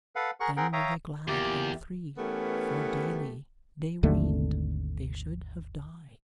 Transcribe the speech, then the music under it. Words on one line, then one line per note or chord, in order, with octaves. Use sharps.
Then were they glad all three, for daily they weened they should have died.
A4 B4 F5 F#5
G#4 A#4 F#5 C#6
C4 G#4 A#4 F#5 G5
C#5 E5 F5 G5 A#5 D#6
E2 A#2 A#3 G4
E3 A3 B3 C#4 G4 A#4
G#1 D#2 D3 A3